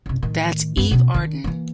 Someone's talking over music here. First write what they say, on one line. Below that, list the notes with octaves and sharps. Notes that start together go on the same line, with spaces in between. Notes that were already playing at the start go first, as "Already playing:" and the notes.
That's Eve Arden.
F#1 C3
A2 D#3
F#2 B3
B2 C#4
D#3 D4
E3 A#3